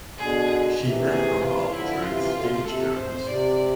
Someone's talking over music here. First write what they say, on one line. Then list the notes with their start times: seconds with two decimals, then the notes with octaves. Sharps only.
She met Rahal during stage dramas.
0.18 B2 D3 G#4
0.80 C3 E3
1.10 G#4
1.41 F4
1.72 D3 F3 E4
1.95 F3
2.03 C3 E3 F4
2.34 B2 D3
2.49 C3
2.65 C3 A4
2.96 G#2 C5
3.06 F2
3.16 G#2
3.27 C3 D5